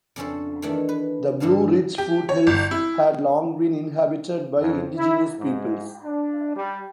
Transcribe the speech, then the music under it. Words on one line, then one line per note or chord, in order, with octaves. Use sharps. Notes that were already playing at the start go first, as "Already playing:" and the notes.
The Blue Ridge Foothills had long been inhabited by indigenous peoples.
F2 C#3 C#4 D4 A4 C5
D#3 E3 A3 D4
B4
G2 D3 A4 F5 A5
G4
C#5
G1
E4
F2
E4
G#2
D4
G3